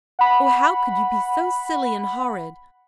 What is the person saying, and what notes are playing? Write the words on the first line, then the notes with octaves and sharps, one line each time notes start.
Oh, how could you be so silly and horrid?
F#5 B5